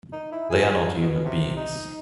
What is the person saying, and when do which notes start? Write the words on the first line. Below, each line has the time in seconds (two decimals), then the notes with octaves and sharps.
They are not human beings.
0.13 D#4
0.32 E4
0.50 G#4
1.01 B2
1.26 C3
1.57 D#4